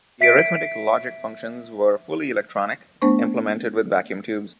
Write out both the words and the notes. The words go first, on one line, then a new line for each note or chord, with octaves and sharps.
The arithmetic logic functions were fully electronic, implemented with vacuum tubes.
E5 B6 C7 D7
A3 B3 D4 C5 C#6